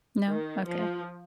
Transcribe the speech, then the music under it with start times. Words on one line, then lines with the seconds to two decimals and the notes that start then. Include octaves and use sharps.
No? Okay.
0.28 D#3
0.66 F3